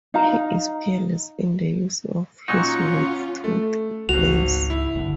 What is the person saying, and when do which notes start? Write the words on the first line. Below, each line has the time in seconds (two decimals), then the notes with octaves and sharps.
He is peerless in the use of his wolf-toothed mace.
0.14 D#4 F5 A#5
2.48 A#2 F#3 C#4 D#4 F4 F#5 C#6
3.44 A3
4.09 G#1 C#2 F#4 F7
4.70 E4
4.95 G1 A#2 D3